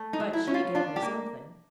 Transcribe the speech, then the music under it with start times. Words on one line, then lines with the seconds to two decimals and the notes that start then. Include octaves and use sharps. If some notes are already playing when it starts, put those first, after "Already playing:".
But she gave me something.'
Already playing: A3
0.13 D#4
0.20 F#3
0.33 E4
0.47 C#4 E4
0.54 F4
0.75 D4 F4
0.96 G4
1.02 A#3